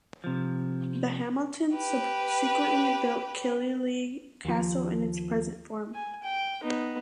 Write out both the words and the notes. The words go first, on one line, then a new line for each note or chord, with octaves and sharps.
The Hamiltons subsequently built Killyleagh Castle in its present form.
C3 F3
G4 B4
D#2 F3
G#5
G5
B3 D#4